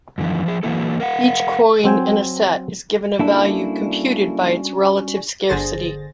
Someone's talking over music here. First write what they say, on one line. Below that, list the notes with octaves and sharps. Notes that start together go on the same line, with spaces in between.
Each coin in a set is given a value computed by its relative scarcity.
F#2 D3 E3 F3
F3 G#4
E3 F#3 G3 A#3 E4 A4
A#4 F5 F#5
F#3 C4 G5 G#5
G3 A#3 C#4 D4 E4 F#4 A4
G1 D3 G#4 C5 A6 A#6